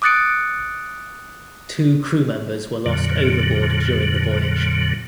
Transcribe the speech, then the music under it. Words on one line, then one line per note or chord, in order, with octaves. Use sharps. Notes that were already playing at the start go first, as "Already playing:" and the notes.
Two crew members were lost overboard during the voyage.
D6 D#6 F#6 A6 C#7 D7
F2 A#2 D3 F#3